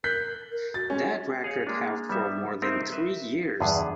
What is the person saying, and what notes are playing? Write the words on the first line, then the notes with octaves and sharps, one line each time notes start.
That record held for more than three years.
A#4 F#6 G6 B6
A#4
F#4 A6
G#3 C#4
G#4 C#5 F5
G#3 A#3 D4
G3 B3 E5
C4 D#4 A#4 C5 D#5 E5
B4 E5
E2 G2 D3 B3 G#4